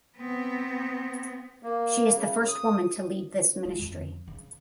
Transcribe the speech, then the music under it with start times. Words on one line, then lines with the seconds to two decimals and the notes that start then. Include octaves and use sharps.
She is the first woman to lead this ministry.
0.17 B3 C4
1.63 A#3
2.14 C#3
2.48 D#6
3.65 G#3
3.79 F2
4.28 C#3